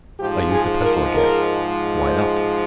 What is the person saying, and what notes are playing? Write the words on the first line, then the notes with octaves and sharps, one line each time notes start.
I used the pencil again: "Why not?"
G#2 F3 G#3 G4
G#4
A#4
A#4
C5